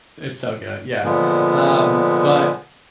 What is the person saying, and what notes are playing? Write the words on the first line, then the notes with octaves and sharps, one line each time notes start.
it's so good, yeah. Um, but
A#2 D3 F3 G#3 B3